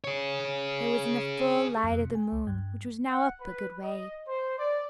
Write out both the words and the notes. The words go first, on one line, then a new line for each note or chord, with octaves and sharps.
It was in the full light of the moon, which was now up a good way.
G#4 C#5
F2
C3
G#5
C#2
G2
F#5
B4
D#5
C5
D5